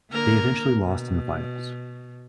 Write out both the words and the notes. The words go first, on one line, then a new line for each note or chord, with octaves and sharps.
They eventually lost in the finals.
D3 A#3 A#4
B2